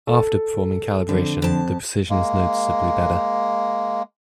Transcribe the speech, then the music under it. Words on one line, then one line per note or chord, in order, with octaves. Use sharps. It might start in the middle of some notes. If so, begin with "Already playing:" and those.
After performing calibration, the precision is noticeably better.
A4
F2 D3
F2 A5
G#3 A#3